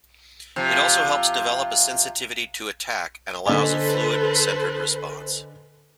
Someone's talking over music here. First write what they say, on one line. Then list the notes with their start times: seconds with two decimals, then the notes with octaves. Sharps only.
It also helps develop a sensitivity to attack and allows a fluid, centred response.
0.56 C3 F3
3.46 D3 A4 B4 C5 D#5 G#5